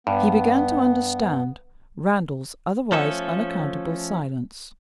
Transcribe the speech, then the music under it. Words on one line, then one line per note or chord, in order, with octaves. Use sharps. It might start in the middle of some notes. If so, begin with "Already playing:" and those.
He began to understand Randal's otherwise unaccountable silence.
G2 B3
F3 A3 C#4 A4